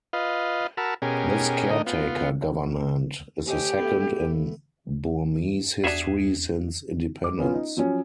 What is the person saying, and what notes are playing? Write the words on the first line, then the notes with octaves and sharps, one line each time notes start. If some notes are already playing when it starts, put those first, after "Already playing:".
This caretaker government is the second in Burmese history since independence.
F4 B4 D#5 F5
F#4 A#4 A5 B5 E6 F6
B2 C#4 G4 G#4 A#4
A2 D3 D#4 A#4 D#5
B3 F4
D2 C#4 G4 D#5
A3 B3
E2 D4 F4 F#4 G#4 E5 F#5
D6
B3 C#4 F4
D#4
F3 F#3 C#4